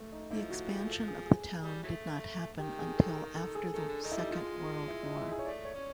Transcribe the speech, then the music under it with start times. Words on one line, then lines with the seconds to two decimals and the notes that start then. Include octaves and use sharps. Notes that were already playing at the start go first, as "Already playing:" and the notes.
The expansion of the town did not happen until after the Second World War.
Already playing: A3
0.12 D#4
0.30 D3 F3 E4
0.50 F#4
0.69 G#4
0.87 A4
1.08 G#4
1.26 G#4
1.64 G3
1.83 E3 F#3 A3
2.59 D#3 G4
2.79 G#4
2.98 A4
3.17 A#4
3.36 A4
3.55 G#4
3.74 D#3 A4
3.88 D3
4.03 D#3 D#4
4.12 E4
4.17 G3
4.31 D#3 F3 G#3 F4
4.88 E4
5.03 D#4
5.17 E4
5.32 G#4
5.39 C#5
5.45 A3 D5
5.65 C#5
5.74 C#4